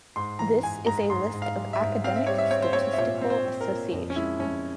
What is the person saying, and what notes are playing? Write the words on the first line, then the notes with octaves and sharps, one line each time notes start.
This is a list of academic statistical associations.
G#2 C6
E3 A#5
G#2 G#5
G#2 A#5
G#2 C6
G#2
F5
G3
E5
G#2
C4 F5
E5
G3 C#5
E5
C4 C#5
C5
C4 C#5
E5
A#2 C#5
C4
C5
C4
A#4
A#2
F2
C#4
G#3 E4
F2 C#4